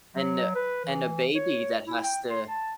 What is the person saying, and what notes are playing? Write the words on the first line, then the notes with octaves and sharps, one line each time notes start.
And a and a baby that has to
F#3
B4
E3
C#5
E4
G5
C6
A5